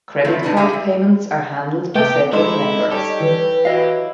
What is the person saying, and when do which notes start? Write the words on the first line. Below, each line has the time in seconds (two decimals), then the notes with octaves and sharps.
Credit card payments are handled by separate networks.
0.25 D#3 F#3 A3 B3 C4 E4
0.43 B2 B3 D4 D#4 C5 A5
0.57 G4 G#4 E5 F5
0.73 G3
1.96 C3 B3 G4 G5 D6
2.33 G#3 D#4 E4 A4 C5 E7
2.91 G3 G4 A4 C#5
3.20 E3
3.65 F#3 E4 D#5 F5